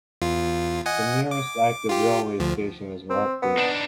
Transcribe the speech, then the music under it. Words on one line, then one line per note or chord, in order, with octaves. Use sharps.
The nearest active railway station is Rugby.
E2 F4
D#5 F#5 G#5
D6
F4 G4
D2 F3
C4
B3
D4 D#4